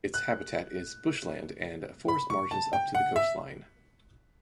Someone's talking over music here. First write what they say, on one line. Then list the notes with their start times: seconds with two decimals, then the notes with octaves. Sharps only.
Its habitat is bushland and forest margins up to the coastline.
0.14 F#6
2.08 B5
2.30 C#6
2.51 A5
2.73 G5
2.95 F#5
3.16 E5